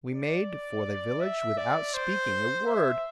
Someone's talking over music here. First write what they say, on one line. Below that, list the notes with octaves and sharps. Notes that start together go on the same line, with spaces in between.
We made for the village without speaking a word....
D5
E5
D5
C5
E5